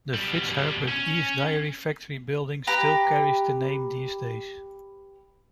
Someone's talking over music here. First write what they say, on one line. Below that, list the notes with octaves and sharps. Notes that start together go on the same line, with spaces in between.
The Fitzherbert East Dairy Factory building still carries the name these days.
B2 G3
C#4
G4 B4 A#5